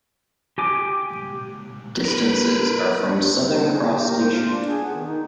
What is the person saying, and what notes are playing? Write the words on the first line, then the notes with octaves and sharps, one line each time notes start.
Distances are from Southern Cross station.
G4 G#5 D6
A#4 B4
C#3
E4
G#4
G4
A#4
C5
F4
D4
G#4
B3
D#3
D#4